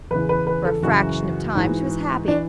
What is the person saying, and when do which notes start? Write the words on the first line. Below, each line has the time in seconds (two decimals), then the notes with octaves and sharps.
For a fraction of time she was happy.
0.11 E2 C#3 E3 B4
0.29 B4
0.47 B4
0.65 A4
0.83 F#2 C#3 E3 F#4
1.55 G#2 E3
2.28 E3 D4